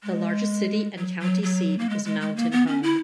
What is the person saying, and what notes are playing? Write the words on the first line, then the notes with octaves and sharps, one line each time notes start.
The largest city and county seat is Mountain Home.
G#3
F#3
F#3
F#3
A#3
G#3
G#3
G#3
A#3
B3
C#4
E4